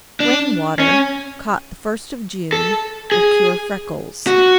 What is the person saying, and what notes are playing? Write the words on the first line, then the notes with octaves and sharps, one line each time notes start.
Rain-water caught the first of June will cure freckles.
D4
C#4
A4
G#4
F#4